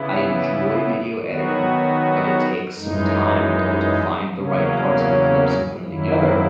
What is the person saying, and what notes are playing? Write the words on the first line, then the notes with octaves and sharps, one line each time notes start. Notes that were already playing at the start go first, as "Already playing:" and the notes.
I enjoy video editing, but it takes some time to to find the right parts of the clips, and put 'em together,
Already playing: C#3 E3 B3 E4
D#3 F#3 B3 F#4
F#2 E3 G#3 D#4
E2 C#3 F#3 A#3 C#4
F#2 D#3 F#3 A#3 E4